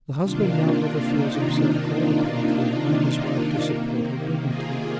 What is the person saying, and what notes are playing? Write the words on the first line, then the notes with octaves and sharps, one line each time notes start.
The husband now never feels himself called upon to remind his wife to support her dignity.
C3 D#3 A#3 D4 F4
D#4
D#4
D#4
C3 D#3 A#3
F4 G#4